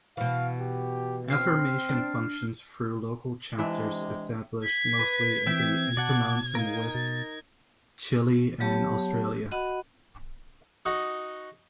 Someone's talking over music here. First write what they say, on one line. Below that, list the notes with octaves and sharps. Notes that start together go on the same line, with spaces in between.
Affirmation functions through local chapters established mostly in the Inter-mountain West, Chile, and Australia.
B2 E3 F5
G4
C4 F6 C7
D4
C3 E3 G#3 D4
G#6 B6
B4
E3 C4 E5 G5
B2 D5 F#5 A5
D#4 A#4 F5
B2 A6
F#3 B3 G4 C#5 A5
F#4 D#5 F#5 B5
D#4 F#4 D#5